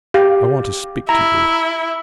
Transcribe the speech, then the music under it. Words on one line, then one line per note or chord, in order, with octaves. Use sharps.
I want to speak to you.
G4 F5
E4 A#5